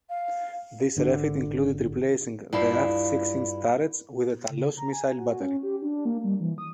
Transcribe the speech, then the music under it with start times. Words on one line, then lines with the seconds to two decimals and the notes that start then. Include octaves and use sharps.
This refit included replacing the aft six-inch turrets with a Talos missile battery.
0.09 F5
0.96 G#1 D3 D4
2.53 G2 E4 F4 F5
4.49 C#3
4.77 A#5
4.93 G#5
5.18 F#4
5.40 C#4
5.63 G4
5.82 D4
6.05 A#3
6.24 G3
6.40 E3
6.58 D#6